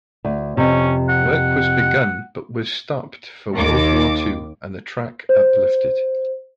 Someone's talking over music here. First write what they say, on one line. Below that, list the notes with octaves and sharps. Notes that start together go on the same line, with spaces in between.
Work was begun but was stopped for World War Two and the track uplifted.
D2
F2 C3 C#4
F#5
D#2 D6
C5